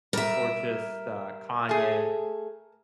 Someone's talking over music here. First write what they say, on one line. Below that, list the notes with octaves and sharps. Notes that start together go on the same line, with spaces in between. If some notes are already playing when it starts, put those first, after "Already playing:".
or just, uh, Kanye.
G3 A#4 E5
A3 G#4